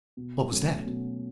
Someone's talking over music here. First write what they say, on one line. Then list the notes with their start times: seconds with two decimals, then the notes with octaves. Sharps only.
What was that?
0.17 B2
0.51 F#3 A3 C#4
0.87 B2